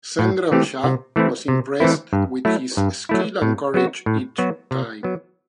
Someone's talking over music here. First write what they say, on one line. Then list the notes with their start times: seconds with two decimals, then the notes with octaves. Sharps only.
Sangram Shah was impressed with his skill and courage each time.
0.19 A2
0.52 E3 A3 C4 G4
0.83 C3
1.16 E3 A3 C4 E4
1.48 C3
1.80 E3 A3 C4 E4
2.13 G2
2.45 F#3 A3 E4
2.77 G2
3.09 F#3 A3 E4
3.42 A2
3.74 F#3 B3 F#4
4.06 A2
4.38 F#3 B3 F#4
4.71 C3
5.03 F#3 B3